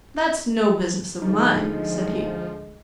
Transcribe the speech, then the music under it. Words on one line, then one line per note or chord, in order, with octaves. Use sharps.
"That's no business of mine," said he.
D2 F3 G#3 D#4